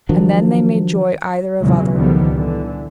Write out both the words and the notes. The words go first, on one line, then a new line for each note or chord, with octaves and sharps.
And then they made joy either of other.
D#3 F3 F#3 D4
E2 A#2 C#3 E3 F#3 G#3
C#2 D3 D#3 F3 G3 B3
D3 E3